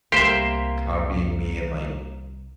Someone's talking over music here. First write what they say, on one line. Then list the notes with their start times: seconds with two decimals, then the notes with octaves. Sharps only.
copying me and, like,
0.12 C2 A#3 G4 C5 E5 C6